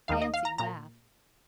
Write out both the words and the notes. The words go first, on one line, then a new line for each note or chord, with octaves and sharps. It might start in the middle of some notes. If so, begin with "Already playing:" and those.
Nancy laughed.
D#2 D#3 A#3 D#4 F5
D#5
F5
A#5
A#2 A#5